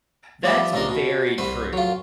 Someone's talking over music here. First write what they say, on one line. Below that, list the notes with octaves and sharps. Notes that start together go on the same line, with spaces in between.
That's very true.
F3 G3 B3 D5 E5
C#2 C3 D4 D#4 A#4
B2
C2 B4 C5 F#5
F#3 F4